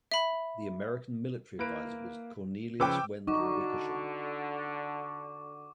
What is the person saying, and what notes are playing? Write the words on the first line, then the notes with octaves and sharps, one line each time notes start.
The American military advisor was Cornelius Wendell Wickersham.
E5 B5
A#3 E4 B4 D7
C#3 F3 C#4 B4 C5 G5 D6 E6
D3 D#4 F#4 C#6 D6